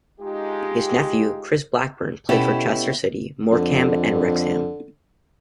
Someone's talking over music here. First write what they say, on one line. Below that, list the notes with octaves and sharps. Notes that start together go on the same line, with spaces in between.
His nephew, Chris Blackburn, played for Chester City, Morecambe, and Wrexham.
G#3 D#4 F4 G4
B2 C#4 E4 G4 A4
F2 D3